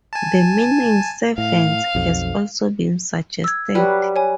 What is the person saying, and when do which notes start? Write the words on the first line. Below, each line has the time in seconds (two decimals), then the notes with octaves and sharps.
The meaning "servants" has also been suggested.
0.13 G#5 A5
1.38 A2 F5
1.95 B1 F2
3.44 E6 G#6
3.75 F#3 G3 B4
4.16 C#5 G#5